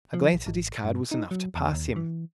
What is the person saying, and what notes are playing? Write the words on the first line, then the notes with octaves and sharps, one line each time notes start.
A glance at his card was enough to pass him.
F3
A#1
G#1
G2
D#4
F#3
E2
D#2
E3